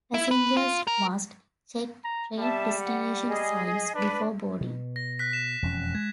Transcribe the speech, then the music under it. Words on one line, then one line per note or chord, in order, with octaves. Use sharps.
Passengers must check train destination signs before boarding.
E4
B4
F4
A#4
A#5
G3 E5 A5
F#5
G#4 D#5
D4 B4
B2
A#6
F#6 B6
E7
E1 F2 C#4
G#3 G#6